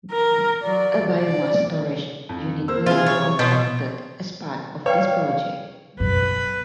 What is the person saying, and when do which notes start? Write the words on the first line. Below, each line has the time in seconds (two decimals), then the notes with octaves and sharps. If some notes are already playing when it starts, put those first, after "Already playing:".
A biomass storage unit will be constructed as part of this project.
0.11 A#4
0.63 F#3 D5
1.19 D5
2.29 F2
2.68 A#3 C5 E6
2.86 C3 E3 F4 G#4
3.07 C#5
3.39 B2 C6 C#6 G6
4.86 B4 C#5 D5 F5 G5
6.00 F#2 B2 B4